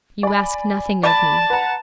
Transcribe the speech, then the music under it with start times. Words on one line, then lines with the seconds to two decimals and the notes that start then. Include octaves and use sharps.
'You ask nothing of me.
0.23 D5 G#5 B5
1.03 D5 A5 B5
1.50 B4 F#5 A#5